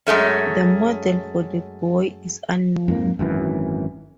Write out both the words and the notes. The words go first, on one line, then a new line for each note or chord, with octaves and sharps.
The model for the boy is unknown.
F#2 G#3 A3 C#4
F2 G#2 A#3
G#1 F#2 A2 E3